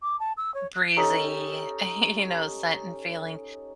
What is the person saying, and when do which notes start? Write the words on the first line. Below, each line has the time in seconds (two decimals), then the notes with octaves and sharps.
breezy, you know, scent and feeling.
0.02 D6
0.19 A5
0.37 E6
0.54 C#5
0.74 F#6
0.96 C#4 D#4 G4 A4